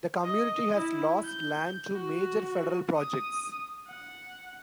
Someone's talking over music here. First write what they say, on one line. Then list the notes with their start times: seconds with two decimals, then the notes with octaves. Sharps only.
The Community has lost land to major federal projects.
0.24 D#5
0.75 E4
1.24 G6
1.93 F#4
2.96 D#6
3.87 F#5